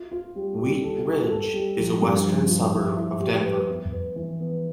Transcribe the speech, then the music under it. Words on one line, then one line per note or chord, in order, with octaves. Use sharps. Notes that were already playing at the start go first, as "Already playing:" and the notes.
Wheat Ridge is a western suburb of Denver.
Already playing: F4
F4
G3
G3
A4
A4
A4
G3
F3
G2
F3
F3
E4
E4
G3
B4
B3
B4
E3
B3